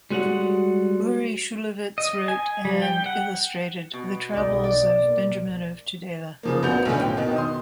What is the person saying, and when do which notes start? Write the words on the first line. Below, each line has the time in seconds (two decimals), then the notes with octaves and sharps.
Uri Shulevitz wrote and illustrated The Travels of Benjamin of Tudela.
0.11 G3 G#3 F#4 C#5 F#5
1.98 D#5
2.28 G#5
2.65 G3
2.82 G5
3.06 F#5
3.93 B2
4.33 B1 D#4 D5
4.64 D5
5.00 A#2
6.43 C#3 F3 A#3
6.62 A#1 B3 F#4 G6 F7
6.85 B1 A2 D3 C#4
7.01 G5
7.17 B2 D#3
7.36 C6 D#6